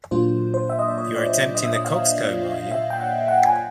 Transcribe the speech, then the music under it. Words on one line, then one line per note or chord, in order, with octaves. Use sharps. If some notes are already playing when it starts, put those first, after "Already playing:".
You are attempting the coxcomb, are you?
A#2 F#3 A#3 D4 F4 C5
C5
E5
D#5
D5
C#5
D5
C#5
D#5
E5
D#5
F5
E5
G5
F#5
F#5
G#5